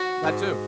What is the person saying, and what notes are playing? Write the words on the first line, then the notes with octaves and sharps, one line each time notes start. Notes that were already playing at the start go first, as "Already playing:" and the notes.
that too.
Already playing: F#4
G#2